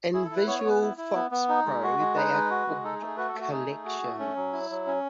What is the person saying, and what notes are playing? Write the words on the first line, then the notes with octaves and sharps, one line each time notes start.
In Visual FoxPro, they are called "Collections".
E4 G#4
A4
E4 B4
B3 C#5
C#5
B3
B4
E4
E4
B3
B3
D#4
G#3
F#4
G#3
D#4 B4
G#3
F#4
G#3
D#4 A4
G#4
A3
G#4
F#4 B4
A4
A3
F#4
D#4 G#4
A3
F#4
A3
C#4
F#3
E4
F#3
C#4